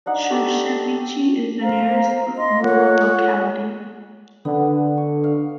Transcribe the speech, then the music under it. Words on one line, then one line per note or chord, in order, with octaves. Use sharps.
Shershevichi is the nearest rural locality.
D4 D#4 F#5
A3 G4 D6
C5 F5 A#5
D#5 C6
F4 A4 C#5 F#5
D3 B3
C#6
F5